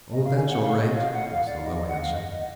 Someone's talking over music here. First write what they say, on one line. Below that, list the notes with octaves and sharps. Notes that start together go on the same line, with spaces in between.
"Oh, that's all right," was the low answer.
D#5
F5
G#5
F#5
F5
D#5
F5
F#5
F5
D5
D#5
D#5
F#5
F5
D#5
D#5